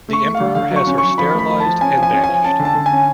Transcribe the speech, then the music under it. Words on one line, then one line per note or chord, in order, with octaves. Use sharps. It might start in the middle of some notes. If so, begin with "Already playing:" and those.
The emperor has her sterilized and banished.
A3 C#6
A3
F5
D3
D3 F5
F#3
C#6
C#4
F#3 C#6
F3 B5
A3
B5
F3
A5
F3
C#4 G#5
F3
G#5
C#4
G#5
F3
C#4 A5
D3
A5
D3
G#5
C#4